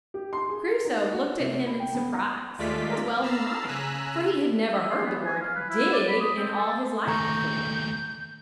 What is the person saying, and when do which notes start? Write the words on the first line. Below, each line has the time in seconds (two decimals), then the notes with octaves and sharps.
Crusoe looked at him in surprise, as well he might, for he had never heard the word "dig" in all his life before.
0.14 G4
0.33 C6
0.49 G#4
0.85 D#4
0.98 A6
1.13 F#4
1.40 C3
1.65 B5
1.80 G5
1.95 B3
2.13 A#5
2.58 D#2 G#3 A3 F4 D5 B6
3.21 A#5 B5 E6 F6 A6 C7
3.67 C#3 G#5 A#5 E6 F#6 B6
4.72 E5
4.90 C6
5.04 B3
5.25 G#5
5.41 F5
5.56 B4
5.70 E4
5.92 D5
6.08 B5
6.20 D#6
6.37 C4
6.57 A4
7.08 D#2 A3 A#5 C#6 G6 A#6